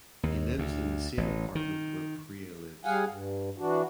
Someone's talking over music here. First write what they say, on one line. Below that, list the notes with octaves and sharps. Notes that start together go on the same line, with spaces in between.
He lives in the same apartment where Priya lives.
D#2
D2
A1
D#3
G3 G#4 F5 F#5 G#5
G2
E3 D4 F#4